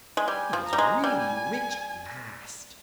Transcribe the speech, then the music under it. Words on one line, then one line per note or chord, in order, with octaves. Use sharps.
He was really rich at last.
G#3
G3 G#5
F3
A#5
G3
G#3
G3 G#5